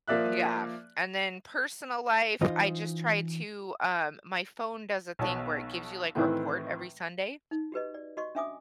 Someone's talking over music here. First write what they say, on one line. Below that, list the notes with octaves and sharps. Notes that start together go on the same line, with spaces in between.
yeah, and then personal life, I just try to, um my phone does a thing where it gives you, like, a report every Sunday
F3 A#3 D5 E5 F#6
E3 D#4 F4 C5 D#5
B1 B2 F#4 C#5 A5
A2 D#3 E3 C4 E4 B4
D#4
F#4 G4 B4 D#5
D5
F#4 D#5 C6 C#6
C#4 D4 E5 G#5 D6 D#6